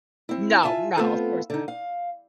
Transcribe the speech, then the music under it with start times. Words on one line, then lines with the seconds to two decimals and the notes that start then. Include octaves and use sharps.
No, no, of course not.
0.29 C4 E4
0.63 F4 E5 G#5 A5
0.97 A3 B3 C4 F4 A4
1.50 D3 D#4
1.68 F5